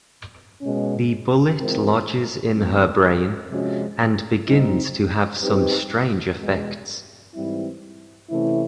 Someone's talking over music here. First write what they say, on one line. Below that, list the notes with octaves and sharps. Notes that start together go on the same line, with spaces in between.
The bullet lodges in her brain, and begins to have some strange effects.
B2 G#3 C#4
E3 G#3 C4 F4 A#4
F#2 D#3 F#3 A3 C4
C3 F3 G#3 C#4 F#4
G3 C4 D#4
G3 C4 D#4 G4 B4
E2 B2 G#3 B3
G#2 E3 G3 C4 E4
C3 E3 A3 C#4 E4